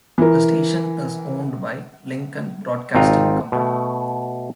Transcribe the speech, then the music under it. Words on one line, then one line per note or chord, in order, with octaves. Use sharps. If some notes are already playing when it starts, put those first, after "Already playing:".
The station is owned by Lincoln Broadcasting Company.
E3 A#4
G#1 C4 D#4 F4 A#5
B2 A3